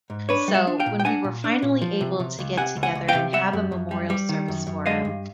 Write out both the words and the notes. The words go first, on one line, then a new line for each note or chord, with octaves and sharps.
so when we were finally able to get together and have a memorial service for him
G#2
D4 B4 C#5
G3
E5 F#5
D4
F5 G5
A#2
G5
D4 F#5 G#5
A#2
D4
A#2
F3
C3
C3
C#2
C3 F#5 G#5
C#2
F#5 G#5
C#2
F5 G5
C3
G3 E5 F#5
F#2
F#2
G3
G3
D#3
F#2
F#2
G#3 D#5 F5
G2